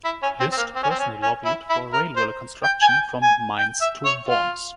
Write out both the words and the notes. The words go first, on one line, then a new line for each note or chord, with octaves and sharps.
List personally lobbied for a railway construction from Mainz to Worms.
E4
C#4
C4
C4
A#3
C4
C#4
C4
C#4
C#4
E4
E4
A#4
C5
G5
G#5
G5
G#5
G5
E5
C#5
F4